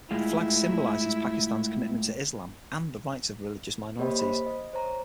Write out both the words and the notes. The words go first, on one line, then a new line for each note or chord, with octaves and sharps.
The flag symbolizes Pakistan's commitment to Islam and the rights of religious minorities.
A2 G#3 E4 F4
A#3 G4 C5 C#5 D#5 B5
C5 B5
D#5
C5 C#5 A#5